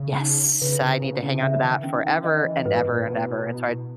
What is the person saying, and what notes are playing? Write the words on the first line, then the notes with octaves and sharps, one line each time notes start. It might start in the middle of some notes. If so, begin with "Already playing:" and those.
yes, I need to hang on to that forever and ever and ever, and so I
Already playing: C#3
D#4
C#3 B4
C#3
C#3 E4
C#3
C#3 E5
D#3
E3
D#3 C#4
D#3
D#3 D#5
E3
G#2 B4
A#2
B2 E4
E4